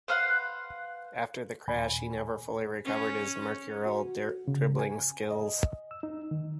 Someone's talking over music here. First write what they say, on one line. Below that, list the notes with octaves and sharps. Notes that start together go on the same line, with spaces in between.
After the crash he never fully recovered his mercurial dribbling skills.
B4 C5 F5 F#5
D#2 A#2 G#5 B5
C#4
F#4
C#3
G#5
D#5
E6
D#4
D#3